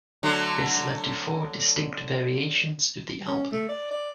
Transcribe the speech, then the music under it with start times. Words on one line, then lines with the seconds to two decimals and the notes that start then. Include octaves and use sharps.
This led to four distinct variations of the album.
0.23 D3 F#3 A3
3.27 C#4
3.52 A3
3.68 D5
3.91 D5